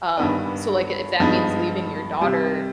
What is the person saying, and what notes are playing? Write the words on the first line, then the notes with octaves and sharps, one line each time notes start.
Um, so, like, if that means leaving your daughter
G2 D#3 B3 D4
G2 F3 G#3 B3 D#4
C3 G3 C4